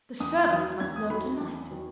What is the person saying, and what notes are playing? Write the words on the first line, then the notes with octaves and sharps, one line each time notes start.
The servants must know to-night.
E2 D#6
D#3 F#3 D#6
E2 G#6
D#6
D#3 F#3 B5
E2
D#3 F#3